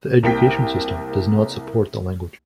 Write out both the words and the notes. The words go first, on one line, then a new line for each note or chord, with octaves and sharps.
The education system does not support the language.
C2 A#3 G5 B6